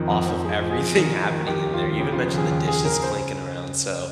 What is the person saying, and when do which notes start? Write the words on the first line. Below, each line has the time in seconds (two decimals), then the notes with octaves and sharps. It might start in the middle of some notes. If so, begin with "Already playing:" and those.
off of everything happening in there, you even mentioned the dishes clinking around, so,
Already playing: F2 D#3
0.11 F2
0.27 F3
0.45 F2 G#4
0.62 F3
0.71 G#4
0.79 F2
0.96 D#3
1.13 D#3
1.30 D#3
1.47 D#3 G4
1.65 D#2
1.74 F4
1.82 D#2
2.00 C#3 G4
2.12 F4
2.16 F3
2.33 D#2 G#4
2.51 D#2
2.67 D#2 G#4
2.85 C#3 A#4
3.02 C5